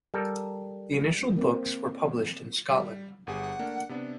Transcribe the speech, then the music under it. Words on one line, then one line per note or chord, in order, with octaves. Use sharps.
The initial books were published in Scotland.
G3 A4 A#4
A#3 C4
G3
G1 G4 G#4 F#5
A3 A#3 D4
C3 B3 D4